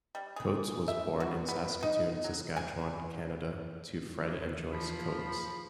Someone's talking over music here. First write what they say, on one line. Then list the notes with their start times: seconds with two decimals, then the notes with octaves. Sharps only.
Coates was born in Saskatoon, Saskatchewan, Canada to Fred and Joyce Coates.
0.15 G3
0.36 G#4
0.88 E5
1.20 F#4
1.49 B3
1.83 D#4
2.24 F#3
2.56 G#5
4.72 F3 B5